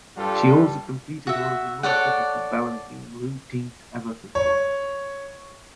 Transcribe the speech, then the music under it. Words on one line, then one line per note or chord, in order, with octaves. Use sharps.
She also competed one of the most difficult balance beam routines ever performed.
G2 G3 D4 F4 A4
F#4 E5
A4 C#5 D5 F#5
C#5